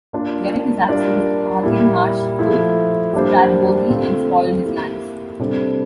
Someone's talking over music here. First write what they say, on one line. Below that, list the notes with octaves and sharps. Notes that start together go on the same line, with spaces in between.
During his absence Argyll marched to Strathbogie and spoiled his lands.
A#3 D4 F4
G3 D4 F4 A#4 D5
A#2 G3 A#3 E4
F3 A3 E4
G3 A#3 D4 G4 C5
D3 A3 C4 F4 C5
A#3 E4 G4
C3 G3 D4 A4 C5